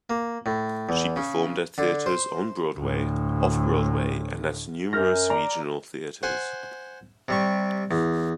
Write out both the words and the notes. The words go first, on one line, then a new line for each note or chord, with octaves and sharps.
She performed at theatres on Broadway, off-Broadway, and at numerous regional theatres.
A#3
A2
E2
C#3
D3
C5
D2 A2
F#2 F6 G6 A#6
D5 A#5
C5 F#5 G#5
C3 G3 C#6
E2